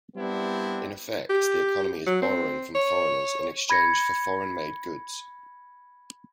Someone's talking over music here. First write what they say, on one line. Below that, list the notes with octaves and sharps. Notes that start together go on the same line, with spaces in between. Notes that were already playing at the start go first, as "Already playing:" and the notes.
In effect, the economy is borrowing from foreigners in exchange for foreign-made goods.
G3 B3 C4 D4 E4
G4
F#3
C4
C#5
B5 G#6 A#6 C#7